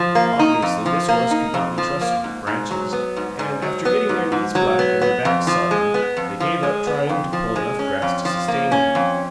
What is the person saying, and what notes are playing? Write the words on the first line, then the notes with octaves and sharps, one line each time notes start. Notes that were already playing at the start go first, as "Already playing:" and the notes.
Obviously, this horse could not be trusted with branches, and, after getting their knees black and their backs sodden, they gave up trying to pull enough grass to sustain him.
Already playing: F3
A#3
D#4
F2
F3
A#3
D#4
F2
F3
A#3
G#2
G#2
F#3
B3
G#2
G#2
F#3
B3
G#2
G#2
F#3
B3
B3
F2
F3
G#3
B3
F2
F3
G#3
B3
F2
F3
G#3
C#4
F2
F3
A#3
C#4
F2